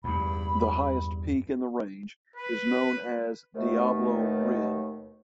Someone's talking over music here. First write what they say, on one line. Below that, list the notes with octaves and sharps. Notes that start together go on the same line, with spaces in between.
The highest peak in the range is known as Diablo Rim.
E2 G2 B5
B4
D#2 B2 D#3 A3